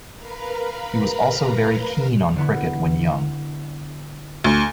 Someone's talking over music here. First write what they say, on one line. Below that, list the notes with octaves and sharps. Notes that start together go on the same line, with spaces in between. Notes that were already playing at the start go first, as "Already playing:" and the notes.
He was also very keen on cricket when young.
A#4 B4 F5 A#5 B5
D3 B3 E4
D2